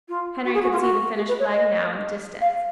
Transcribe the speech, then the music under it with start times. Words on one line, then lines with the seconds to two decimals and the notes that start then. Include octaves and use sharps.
Henry could see the finish-flag now in the distance.
0.09 F4
0.45 F#4
0.54 G#4
0.63 F#4
0.72 F4
0.81 F#4
1.16 G#4
1.28 B4
1.39 C#5
1.51 D#5
2.41 F5